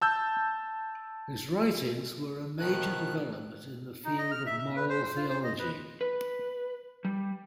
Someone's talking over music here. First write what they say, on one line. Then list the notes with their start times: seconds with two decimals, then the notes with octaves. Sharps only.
His writings were a major development in the field of moral theology.
0.02 A5 E6 G6
2.59 B2 D#3 F3 F#6
4.05 D#4
4.18 D#5
4.32 F6
4.47 E5
4.59 E5
4.76 B4
4.89 C5
5.03 C5
5.16 F4
5.29 C5
5.44 D#5
5.59 B4
6.01 B4
7.05 G3